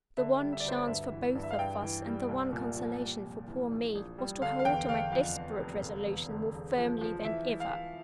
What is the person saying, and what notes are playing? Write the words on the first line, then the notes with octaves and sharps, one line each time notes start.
The one chance for both of us, and the one consolation for poor Me, was to hold to my desperate resolution more firmly than ever.
D3 E5
G3
E5
D5
D2 C5
D5
G2 E5
E3
G2
E5
F5
G2 G5
E3
G3
C2
A#2
F3
G3
F1
E3
A#1
A#1
G3
D3 F5
F5
E2 G5
D3 F5
F2 F5
F2
F1
D3
E2
D3
E1
F3
F3
E3 E5
E3
F5
E3